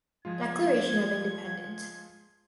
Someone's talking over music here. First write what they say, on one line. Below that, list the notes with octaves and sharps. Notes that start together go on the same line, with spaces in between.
Declaration of Independence.
F3 G#3 F4 G#6